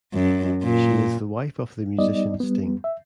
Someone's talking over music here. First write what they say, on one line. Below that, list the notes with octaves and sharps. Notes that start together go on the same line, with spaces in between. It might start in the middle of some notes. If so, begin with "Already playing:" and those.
She is the wife of the musician Sting.
F#2
A#2
G3 B3 D#4 D5 D#5
G3 B3
E5